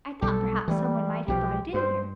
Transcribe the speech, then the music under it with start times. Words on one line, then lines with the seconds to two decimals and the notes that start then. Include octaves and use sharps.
I thought perhaps some one might have brought it in here.
0.22 B1 G3 A4
0.68 E3 G3 A3
1.28 B1 B2 F3 G4
1.74 G2 C5